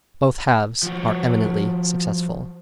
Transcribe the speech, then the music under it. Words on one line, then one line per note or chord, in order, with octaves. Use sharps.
Both halves are eminently successful.
F3 F#4